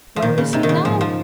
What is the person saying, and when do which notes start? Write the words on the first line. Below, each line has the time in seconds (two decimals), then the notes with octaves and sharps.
"Where is he now?"
0.16 F3
0.22 A#2 D#3
0.38 C#3
0.53 C3 D#4
0.63 D#3
0.69 C#3
0.85 G#2 F3
1.01 F3